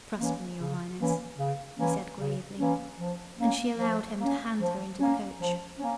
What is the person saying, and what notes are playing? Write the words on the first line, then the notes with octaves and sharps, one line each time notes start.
"Trust me, your highness," he said, gravely, and she allowed him to hand her into the coach.
E3 A#3 C#4
C#3
E3 A#3 C#4
C#3
E3 A#3 C#4
C#3
E3 A#3 C#4
F3
A#3 C#4
F3
A#3
C#4
F3
A#3 C#4
F3
A#3 C#4